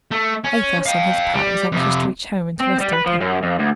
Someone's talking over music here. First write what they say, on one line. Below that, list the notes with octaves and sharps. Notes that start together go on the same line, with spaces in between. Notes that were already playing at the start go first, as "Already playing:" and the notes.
Athos, on his part, was anxious to reach home and to rest a little.
A3
C#4
F5 G5
G3
F2 C3
C4
G3
B4
F3
F#2
F2
D2